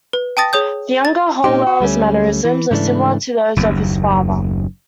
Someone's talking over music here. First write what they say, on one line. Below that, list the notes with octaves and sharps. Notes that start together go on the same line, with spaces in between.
The younger Howell's mannerisms are similar to those of his father.
B4
G5 A5 D#6 A6 A#6
G#4 C#5 D#6 G6
A6
A#2 C#4 D#4 G4
F#4
D2 G3 A3 C#4
E3
G#2 C#3 E3 A3 D4
F#1 D#2